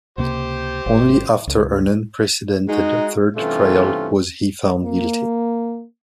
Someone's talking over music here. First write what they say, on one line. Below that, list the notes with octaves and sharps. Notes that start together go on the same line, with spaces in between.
Only after an unprecedented third trial was he found guilty.
C#2 C3 A#3 G4 C5
G#1
C#2
G#3 D#4 F#4
G2 C3 E3 A3 C#4 F4
A#3